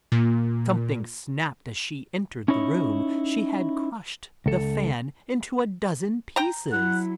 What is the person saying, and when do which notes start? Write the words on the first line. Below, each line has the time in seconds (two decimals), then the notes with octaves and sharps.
Something snapped as she entered the room; she had crushed the fan into a dozen pieces.'
0.12 A#2
2.48 C#4 D#4 E4 C#5
4.46 C#2 A4
6.36 G5 A#5
6.72 F#3 E4 F#5